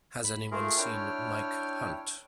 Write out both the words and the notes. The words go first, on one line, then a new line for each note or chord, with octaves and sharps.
Has anyone seen Mike Hunt?
B5
A3 F4 G#4 A#4
D4 E4 C#5 G5 F6